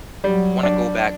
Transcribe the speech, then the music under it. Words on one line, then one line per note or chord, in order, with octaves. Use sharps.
wanna go back
F#3 G3
D4